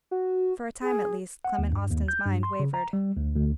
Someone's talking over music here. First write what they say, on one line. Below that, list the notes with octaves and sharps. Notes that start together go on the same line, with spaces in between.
For a time, at least, Clement Austin's mind wavered.
F#4
G#4
F#5
D#2
G2
D#2
G6
G2
C6
C#3
A#5
G3
D2
D2